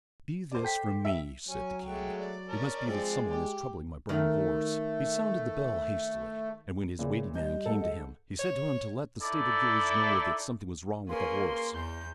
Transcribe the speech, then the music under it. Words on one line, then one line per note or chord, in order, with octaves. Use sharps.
"Be this from me," said the king; "it must be that some one is troubling my brown horse." He sounded the bell hastily, and when his waiting-man came to him, he said to him to let the stable gillies know that something was wrong with the horse.
C5 D5
A4 G5 B6
E5
F#3 C#4 G#5
G#3 A3 F#4 G5
D5
C#4 A#4 A5
F3 G#3 C4
G4
D#3 A3
A#2 C#3 E3
G3 D#5 G6
G#2 A4
C#5
D#4 E4 A4 D5 E5
A#3 C#4 G#4 B4 C6
E2 G6